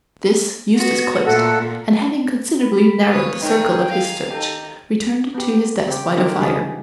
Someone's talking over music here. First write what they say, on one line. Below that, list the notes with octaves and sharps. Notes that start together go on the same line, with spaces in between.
This Eustace closed, and having considerably narrowed the circle of his search, returned to his desk by the fire.
B3 F#4
A#2 A3 A4 F#5
B5
G#4 B4 C#5 F5
D#3 G#4 A#4 C#5 G5
G#4 F5
D#4 G4 A4
B3 G4
C#3 C4 G4
D3 D#3 C4 D#4 G4 A#4
C#3 E3 F#3 G3 D#4 G#4